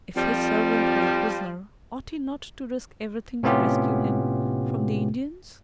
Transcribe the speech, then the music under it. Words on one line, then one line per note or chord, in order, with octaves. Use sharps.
If his servant was a prisoner, ought he not to risk everything to rescue him from the Indians?
F2 F3 G3
A2 C3 B3 C#4 F4 G4